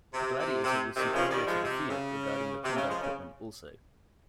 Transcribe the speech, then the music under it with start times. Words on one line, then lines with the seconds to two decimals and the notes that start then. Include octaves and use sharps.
The Gladiator was superior to the Fiat regarding the combat equipment also.
0.13 C3
0.38 C3
0.63 C3
0.96 C3 D#3
1.14 C#3 F3
1.29 D#3 G3
1.46 F3 G#3
1.63 C3
1.89 C#3
2.64 C3
2.76 C#3
2.88 F3 G#3
3.01 C#3